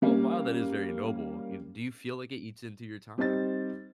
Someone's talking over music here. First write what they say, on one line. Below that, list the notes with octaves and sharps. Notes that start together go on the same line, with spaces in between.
Well, while that is very noble, in do you feel like it eats into your time?
G3 A#3 C#4
G3 C4 D#4 C5 A6